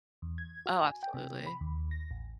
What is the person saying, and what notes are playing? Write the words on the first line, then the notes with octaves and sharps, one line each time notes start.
Oh, absolutely.
E2
G#6
F#4
G#5
G5
C3
B5
D#2
A#6
A1